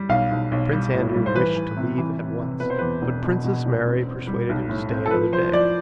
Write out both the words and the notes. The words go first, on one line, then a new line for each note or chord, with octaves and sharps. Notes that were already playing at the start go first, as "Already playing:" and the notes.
Prince Andrew wished to leave at once, but Princess Mary persuaded him to stay another day.
Already playing: G3
B1 F5
B1
B1
G3
A2
G3
C5
E3 B4
E3
C3
E3
C3
C3
B2 B4
C5
E2 B4
E1
B2
B2
E1
C4
C4
G3
B1
A2
C4
A4
F3 B4
F3 C5
F3 D5